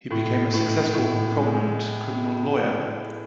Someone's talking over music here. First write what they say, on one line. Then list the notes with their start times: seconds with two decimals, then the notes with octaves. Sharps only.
He became a successful and prominent criminal lawyer.
0.11 A2
0.53 A2
0.94 A2
1.35 G#3